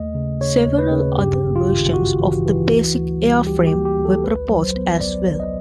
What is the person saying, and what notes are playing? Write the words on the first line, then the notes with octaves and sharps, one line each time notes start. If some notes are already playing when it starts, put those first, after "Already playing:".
Several other versions of the basic airframe were proposed as well.
Already playing: D#2 A3 D#5
C#3
C#3 C#5
D#2
B4
C#3
G2 G4
G#1
F4
G#1
G#1 F#4
E3
E3
D2
D2
G3
D2 G4
G4
A#3
G4
D2
A4
A#1 B4
F#3
C5
B3
A#1 D5
A#1
D#5